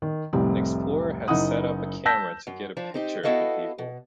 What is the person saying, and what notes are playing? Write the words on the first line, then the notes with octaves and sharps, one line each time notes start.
An explorer had set up a camera to get a picture of the people.
D#3
F1 C2 A2 G3 C4
F#1 D#4 E4 F#5 D#6
A5 E6 G6 A#6 B6
F#2
F3 D4
C4 D#4 G4
B3 E4 F#4 A4 D#5 F5
B2